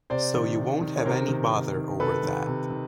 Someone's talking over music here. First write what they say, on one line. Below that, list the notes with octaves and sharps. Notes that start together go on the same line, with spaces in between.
So you won’t have any bother over that.
C3 C5 D5
D#3
C3
D#3
C#5
C3 A#4 C5
D#3
C3
D#3
C3 A4 B4
D#3
C3
D#3